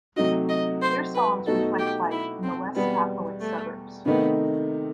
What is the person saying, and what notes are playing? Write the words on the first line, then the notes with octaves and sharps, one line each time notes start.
Their songs reflect life in the less affluent suburbs.
C3 F#3 A3 D#4 F#4 D#5
D#5
C5
B4
B2 A3 D#4 F#4 A4
G4
E4
C4
E2 B2 G3 B3
A3
C3 D#3 A3 B3 D#4